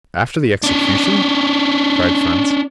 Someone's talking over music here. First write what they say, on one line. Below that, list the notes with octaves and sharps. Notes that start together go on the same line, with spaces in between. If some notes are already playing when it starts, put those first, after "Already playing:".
"After the execution?" cried Franz.
C#4 D4